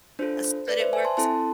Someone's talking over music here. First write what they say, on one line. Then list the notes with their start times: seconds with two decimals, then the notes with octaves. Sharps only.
uh, s but it works
0.19 D4 F4 A4 C5
0.68 B4 D5
0.80 C5 E5
0.93 E5 G#5
1.05 A5 C6
1.17 C4 E4 A4 A5 C6